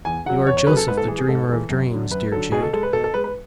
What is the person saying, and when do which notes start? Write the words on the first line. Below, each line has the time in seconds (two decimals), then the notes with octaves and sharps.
You are Joseph the dreamer of dreams, dear Jude.
0.05 E2 G#5
0.26 C#3 F#3 F#5
0.47 E2 C#5
0.57 C#5
0.67 C#3 F#3 B4
0.77 A4
0.88 G#2 B4
0.97 A4
1.08 E3 G#3 G#4
1.19 G#4
1.28 G#2 A4
1.49 E3 G#3
1.70 F#2
1.91 D3 F#3
2.11 F#2 B4
2.31 D3 F#3 A4
2.52 B2 G#4
2.62 A4
2.73 G#3 A4
2.83 B4
2.93 B2 A4
3.04 A4
3.14 G#3 B4
3.24 B4